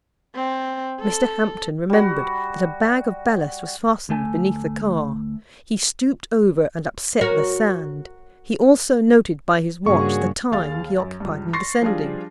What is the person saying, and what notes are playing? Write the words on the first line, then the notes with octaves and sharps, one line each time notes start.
Mr. Hampton remembered that a bag of ballast was fastened beneath the car, he stooped over and upset the sand, he also noted by his watch the time he occupied in descending.
C4
A4
G3 F#4
D2 A3 G#5
F#4 A#4 C#5
G2 C#3 A#3 C#4 F#4 G#4 C#6
D#2 G#4 F5 A6
F#2
C#2 G2
C6 C#6 A6 A#6 C7
F3 G3 D4 F4 G#4